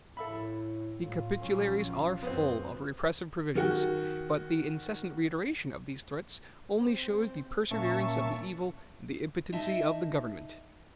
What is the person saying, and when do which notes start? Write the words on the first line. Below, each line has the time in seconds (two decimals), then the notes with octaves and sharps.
The Capitularies are full of repressive provisions; but the incessant reiteration of these threats only shows the perseverance of the evil and the impotency of the government.
0.17 A2 A4 E5 B5
1.02 A2 F4
1.40 A#1 F#3 C#4
2.23 F#2 B3 C4
3.55 D#3 F#4 G5
6.81 C4
7.71 A#2 A#3 C#4 E5 A5 C#6
9.53 D#4 D#5 E5 A5